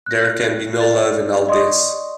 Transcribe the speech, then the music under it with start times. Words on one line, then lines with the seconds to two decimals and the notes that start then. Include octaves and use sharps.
There can be no love in all this.
0.06 F#6 A#6
0.78 D5 A6
1.47 D5 D#5 C6 C#6 D#6